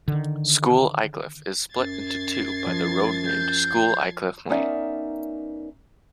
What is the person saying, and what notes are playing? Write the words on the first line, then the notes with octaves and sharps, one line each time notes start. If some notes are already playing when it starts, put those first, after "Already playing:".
School Aycliffe is split into two by the road named School Aycliffe Lane.
D3 D#3
F#2 G#6 A6 C7
F3
G6
B3 C#4 D#4 A#4 D5 E5